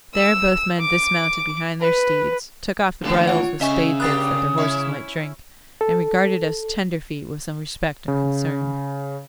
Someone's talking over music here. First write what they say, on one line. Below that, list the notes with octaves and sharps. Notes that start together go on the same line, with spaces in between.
There both men dismounted behind their steeds, took off the bridles with spade bits that their horses might drink, and regarded us tenderfeet with some respect and concern.
E6
D6
B4
D#2 A2 B3 D4 A4
F4 C#5 F#5
C#3 D#5 E5 G#5 C#6
A#3 D4 G4 D#6 F#6 A6
C#4 E4 E5
A4
C#3